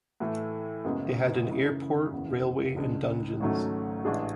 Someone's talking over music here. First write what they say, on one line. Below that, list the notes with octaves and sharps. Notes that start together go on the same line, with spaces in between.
It had an airport, railway and dungeons.
A2 E3 A3
F#1 F#2 C#3 G#3 B3
C#3 E3 G#3
F#1 E2 C#3
C#2 C#3 G#3 D4
G#1 G#2 F#3 A3 C#4
A1 A2 G#3 D4 G#4